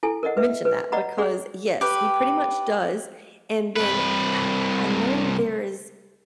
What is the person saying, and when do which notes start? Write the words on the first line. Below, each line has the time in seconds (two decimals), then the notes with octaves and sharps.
mention that, because yes, he pretty much does. And then h I I know there is
0.03 E4 A4 G#5
0.23 A#4 D5 D#5 F#5
0.37 B4 E5
0.65 B4
0.92 D5 D#5 F#5 A#5 B5
1.18 G#4 D5 F#5
1.81 G4 B4
3.76 C2 B4